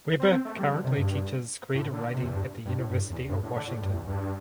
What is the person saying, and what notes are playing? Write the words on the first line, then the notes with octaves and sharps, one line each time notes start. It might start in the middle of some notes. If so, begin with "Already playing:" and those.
Webber currently teaches creative writing at the University of Washington.
C4
C4
A3
G3
D3
C3
G2
A2
D3
C3
E2
G2
G2
A2
G2
E2
G2
A2
D3
A2
G2
E2
G2